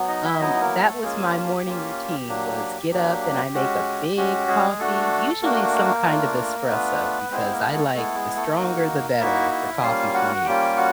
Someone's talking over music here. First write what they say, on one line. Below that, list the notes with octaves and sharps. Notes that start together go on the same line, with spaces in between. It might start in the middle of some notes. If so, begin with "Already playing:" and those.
um, that was my morning routine, was get up and I make a big coffee, usually some kind of espresso, because I like the stronger the better for coffee for me.
Already playing: F#3 B3
D#4 D#5
E4 E5
F#3 B3 D#4 E4 D#5
A#3 A#4
A3 A4
G#3 A#3 C#4 F4 G#4
G4
G4
A#3 C#4 F4
F#3 A#3 D4
F#3 A#3 D4 G4
G#3 C#4 F#4
G#3 C#4 F#4 G4
G#3 G#4
A3 D4 F#4 A4
A3 A#3 D4 F#4 A#4
A3 D4 F4
A3 B3 D4 F4 B4
G#3 B3 C4 E4 C5
A#3 A#4
A3 A4
G#3 A3 B3 E4 A4
G#3 G#4
A3 A4
A#3 D#4 F#4 A#4
A#3 D#4 E4 F#4 E5
E4 E5
G3 A#3 C#4 F4 F5
F#4 F#5
G3 A#3 C#4 F4 G4 G5
F#4 F#5